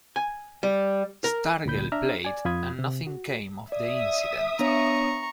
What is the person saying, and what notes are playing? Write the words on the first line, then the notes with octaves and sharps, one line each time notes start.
Stargell played and nothing came of the incident.
G#5
G3
A#4
D2 A#2 B5 G6
D4 E5 A#5 F6
D5 G#5
F2 F4 B5 D#6 G#6
C3
F#4
D5 E5 D#6
B3 D4 C#5 A#5 C#6